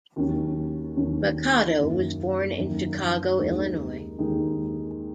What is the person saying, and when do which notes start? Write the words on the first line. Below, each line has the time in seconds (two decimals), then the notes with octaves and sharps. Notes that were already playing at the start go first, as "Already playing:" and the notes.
Machado was born in Chicago, Illinois.
0.16 D#2 D#3 F#3 C#4
0.97 D#2 D#3 F#3 C#4
1.77 F#2 D#3 A#3
2.58 F#2 D#3 A#3
3.38 D#2 D#3 G#3 D#4
4.18 D#2 D#3 G#3 D#4